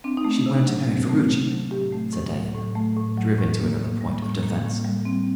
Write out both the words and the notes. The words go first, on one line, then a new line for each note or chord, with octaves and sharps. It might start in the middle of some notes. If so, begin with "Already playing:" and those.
"She wanted to marry Ferruci," said Diana, driven to another point of defence.
C4 D4
D#4
A3
D4
C3
F#3
C4
A3
C3
F#3
A2 G4
A3
A2
F#3
A2
A3
A2
F#3
A2
A#3
A2
G3
A2
A#3
A2
G3
C4